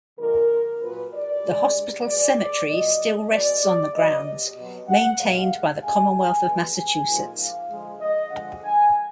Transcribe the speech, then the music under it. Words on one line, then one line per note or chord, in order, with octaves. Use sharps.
The hospital's cemetery still rests on the grounds, maintained by the Commonwealth of Massachusetts.
D3 F3 G#3 A#4
A#2 F#3 B4
D5
D3 G#3
B2 G#3 D5
D5
A#2 F#3 D#5
B2 G#3 D5
D5
B2 F#3 D#5
B2 F#3
F#5
A#2 G#3 F5
D3 G#3 G#5
G#5
B2 G#3
G#5
A#2 F3 G#3
F5
D3 F3 G#3
D#5
D3 F3 G#3 F#5
G#5